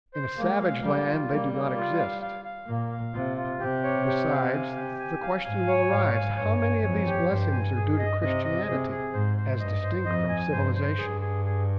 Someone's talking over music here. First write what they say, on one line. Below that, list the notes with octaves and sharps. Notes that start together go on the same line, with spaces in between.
In a savage land they do not exist. Besides, the question will arise: How many of these blessings are due to Christianity as distinct from civilization?
C5
G#3 A#3
F5
G3 A#3
F4
G3 A#3
A#3
F4
F5
F5
F5
A#2 A#3
F5
C3 F4
F4
C3 G4
C#5
G4
F5
G#5
G4
G#5
F5
G#2 G#5
C#5
G#2 F5
G#5
G2 C#5
G#5
F2 C#5
G4
G2 C5
G#5
G2 G#4
D#5
C3 D#5
D#5
C3 G#4
G#4
G#2 C5
C5
G2 D#5
C5
F2 D#5
G#5
G2 C5
C5
G2 G#4
G#4
G#4